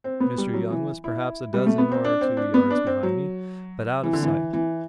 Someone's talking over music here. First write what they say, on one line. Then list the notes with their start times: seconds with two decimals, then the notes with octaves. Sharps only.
Mr. Young was perhaps a dozen or two yards behind me, but out of sight.
0.04 C4
0.20 B3
0.38 G3
0.54 F#3
0.71 E3
1.04 E4
1.54 G3
1.66 A3
1.78 B3
1.92 C4
2.04 D4
2.21 C4
2.37 D4
2.54 B3
2.70 D4
2.87 C4
3.03 F#3
4.03 E3
4.13 D3
4.23 E3
4.53 E3